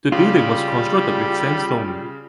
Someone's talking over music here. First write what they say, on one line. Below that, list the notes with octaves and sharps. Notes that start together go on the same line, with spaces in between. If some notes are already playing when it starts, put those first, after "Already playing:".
The building was constructed with sandstone.
C#3 G3 F4 G4 B5